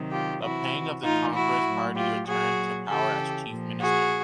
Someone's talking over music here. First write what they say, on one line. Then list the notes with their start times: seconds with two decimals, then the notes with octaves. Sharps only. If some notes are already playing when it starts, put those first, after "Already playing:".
Lapang of the Congress Party returned to power as chief minister.
Already playing: C3 D#3 F#3
0.11 F4 G4
0.42 C3 E3 E4 F#4
1.04 A2 E3 D#4 F4
1.34 E4 F#4
1.65 A2 F#3
1.96 F4 G4
2.26 A#2 F#3 F#4 G#4
2.88 C#3 E3 G4 A4
3.49 A#2 F3
3.80 F#4 G#4